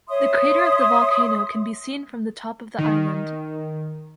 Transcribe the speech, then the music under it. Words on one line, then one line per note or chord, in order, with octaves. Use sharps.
The crater of the volcano can be seen from the top of the island.
C#5 E5 C6 D#6
D#3